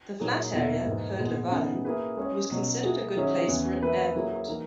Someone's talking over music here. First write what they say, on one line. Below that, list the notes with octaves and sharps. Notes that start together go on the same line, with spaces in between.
The flat area "Herdlevalen" was considered a good place for an airport.
A#2 F#3 A#3 D#4 G#4
E2 B2 A#3 E4
G#2 E3 A#3 D#4
A#2 G#3 B3
C#3 E3 B3 D#4
A#3 E4 G#4 B4
G#3 C#4 G#4 C#5
B2 F#3 C#4
A#3 E4 G#4
D#3 F#3 C#4 E4 G#4
E2 C#3 E3
E3 A#3 E4 B4 E5
F#3 A#3 E4 G#4
E3 A#3 D#4 A#4